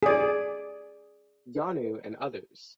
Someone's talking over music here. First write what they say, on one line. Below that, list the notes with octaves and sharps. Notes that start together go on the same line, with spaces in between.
Janu and others.
G#4 D5